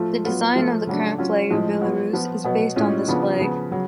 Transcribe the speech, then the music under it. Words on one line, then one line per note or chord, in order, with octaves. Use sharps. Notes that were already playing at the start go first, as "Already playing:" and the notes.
The design of the current flag of Belarus is based on this flag.
Already playing: F3 A3 F4
F#3 B3 F4
F3 A3 F4
C#3 F#3 A3 D4
F#3 C#4 F4
A2 F3 G#3
F#3 B3 F4
F3 B3 F4
B2 F#3 B3
A2 G#3 C#4 F4
C#3 F3 B3 D4 F4
C#3 F3 B3
C#3 F#3